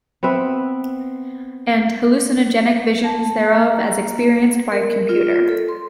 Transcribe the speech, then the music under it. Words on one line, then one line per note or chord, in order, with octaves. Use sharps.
And hallucinogenic visions thereof as experienced by a computer.
B3 C4 B4 E5
A5
A#3
A#4
F4
A4
C6